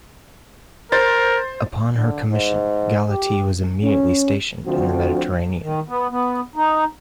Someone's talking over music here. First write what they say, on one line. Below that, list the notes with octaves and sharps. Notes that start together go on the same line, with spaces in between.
Upon her commission, "Galatea" was immediately stationed in the Mediterranean.
A#4 C5 A6
D3
G#2
G4
C#4
D2 D3 F3 C4 F#4
D#3
B3
B3
D#4